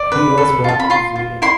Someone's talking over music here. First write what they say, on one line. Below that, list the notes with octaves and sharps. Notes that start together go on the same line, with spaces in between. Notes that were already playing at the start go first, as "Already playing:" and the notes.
He was born in Zuilen.
Already playing: D5
B4
A4
F4 A5
B5
F4 C6
F4
E4 C6